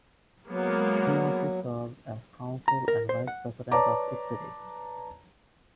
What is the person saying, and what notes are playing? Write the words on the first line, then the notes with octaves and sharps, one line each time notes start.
He also served as council and vice-president of Equity.
F#3 G#3 A#3 B3
A#5
A#4
C5
F#5
B4 C#5 D5 A5 A#5 D6